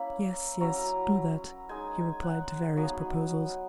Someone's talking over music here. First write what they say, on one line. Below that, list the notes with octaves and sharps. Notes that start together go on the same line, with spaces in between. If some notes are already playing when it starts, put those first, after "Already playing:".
"Yes, yes, do that," he replied to various proposals.
Already playing: A#3 C#4 E4 B5
F#3 C#4 E4 A#5
G#3 D#4 G#5
F#5
F#3 B3 D#4 G#5